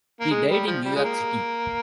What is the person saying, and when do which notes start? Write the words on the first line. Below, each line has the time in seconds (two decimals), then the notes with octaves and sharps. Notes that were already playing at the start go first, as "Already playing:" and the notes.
He died in New York City.
0.20 A#3
0.31 G#3
0.50 G3
0.67 F3
0.85 G3
0.96 G#3
1.04 A#3